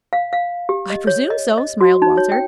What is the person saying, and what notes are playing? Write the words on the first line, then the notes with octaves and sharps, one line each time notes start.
"I presume so," smiled Walter.
F5
F5
G4
D#5
C#5
D#5
D#5
F#4
D#4
C#5
G5